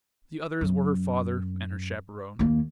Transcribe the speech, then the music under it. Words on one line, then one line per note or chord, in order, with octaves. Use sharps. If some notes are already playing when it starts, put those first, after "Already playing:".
The others were her father and her chaperone.
F#2
D#2 A#3